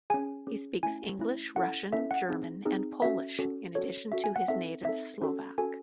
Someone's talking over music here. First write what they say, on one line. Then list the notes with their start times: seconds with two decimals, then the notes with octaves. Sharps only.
He speaks English, Russian, German and Polish in addition to his native Slovak.
0.10 C#4 G#4 G#5
0.47 C#4 G#4
0.83 A3 C#4 E4 G#5
1.20 A3 C#4 E4
1.56 C#4 E4 A4 F#5
1.92 C#4 E4 A4 E5
2.11 F#5
2.29 C4 D#4 G#4
2.65 C4 D#4 G#4
3.02 C#4 F#4 A4 E5
3.39 C#4 F#4 A4
3.75 C#4 F#4 A4 C#5
4.12 C#4 F#4 A4 E5
4.24 G#5
4.36 F#5
4.48 C4 D#4 A4 E5
4.85 C4 D#4 A4 E5
5.22 C#4 F#4 A4
5.58 C#4 F#4 A4 G#5